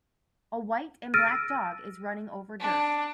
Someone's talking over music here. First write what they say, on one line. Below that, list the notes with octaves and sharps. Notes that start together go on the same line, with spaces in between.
A white and black dog is running over dirt.
E6 F6 A6 A#6 D7 D#7
D4